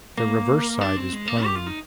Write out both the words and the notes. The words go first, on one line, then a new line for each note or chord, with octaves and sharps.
The reverse side is plain.
A#3
D4
C4
G#3
A#3
G4
F4
D#4